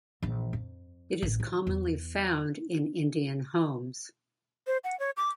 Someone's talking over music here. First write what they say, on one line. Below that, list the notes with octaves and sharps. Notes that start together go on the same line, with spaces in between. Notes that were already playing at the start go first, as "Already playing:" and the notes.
It is commonly found in Indian homes.
A#1 E3
F2
A1
D#3
E2
C5
F#5
C#5
D6